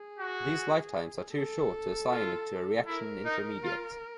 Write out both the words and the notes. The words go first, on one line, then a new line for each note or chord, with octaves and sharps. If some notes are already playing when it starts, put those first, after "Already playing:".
These lifetimes are too short to assign to a reaction intermediate.
Already playing: G#4
F#4
A4
F4
E4 A#4
D#4
F4